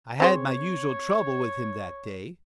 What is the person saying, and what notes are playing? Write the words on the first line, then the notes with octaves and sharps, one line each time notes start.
I had my usual trouble with him that day.
C4 G#4 C5 C#5